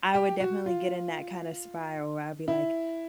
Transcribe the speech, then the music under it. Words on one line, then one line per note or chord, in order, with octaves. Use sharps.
I would definitely get in that kind of spiral where I'd be, like,
G4
F#4
F4
E4